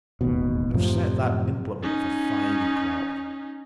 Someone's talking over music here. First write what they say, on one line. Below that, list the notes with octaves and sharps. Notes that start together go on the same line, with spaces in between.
I've set that implement for five o'clock.
E1 A1 D#2 B2
F#2 A2 C3 F3
C#4 D#4